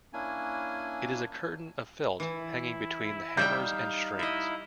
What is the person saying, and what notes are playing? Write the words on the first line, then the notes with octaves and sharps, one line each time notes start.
It is a curtain of felt hanging between the hammers and strings.
A#3 C#4 D4 E4 G#5
E3 E4
G3 D#4 E5 F5 G5 G6
E4 D#5 E5